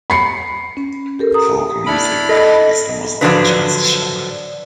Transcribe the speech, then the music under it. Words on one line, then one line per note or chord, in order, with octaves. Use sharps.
Folk music is the most dangerous genre.
B5 C7 C#7
C#4
G4 A4 A#4
A#5 D#6
D4 E4 B5 F6
A4 D#5
D3 F3 F#3 D4 D#4 B4